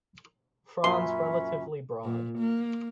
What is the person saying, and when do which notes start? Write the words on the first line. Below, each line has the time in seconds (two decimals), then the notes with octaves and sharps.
Frons relatively broad.
0.84 F#2 A#2 C#4 E5 B5 C6
2.04 A#2
2.38 A#3